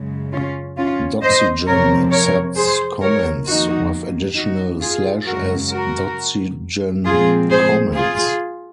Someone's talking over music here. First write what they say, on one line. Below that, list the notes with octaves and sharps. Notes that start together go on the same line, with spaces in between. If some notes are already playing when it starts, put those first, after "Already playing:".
Doxygen accepts comments with additional slash as Doxygen comments.
Already playing: F#2 C#3 G#3
C#4 F4
C#4 F4
C5 D#5
F2 C3 F3 C4 A#4 C#5
A#4 C#5
G#4 C5
A#4 C#5
F2 D#3 A#3 D#4 F#4
D#4 F#4
F4 G#4
F#2 C#3 G#3 F#4 A#4
F#4 A#4
A#2 F3 G#3 C4 F4 G#4
G#4 C5
F4 G#4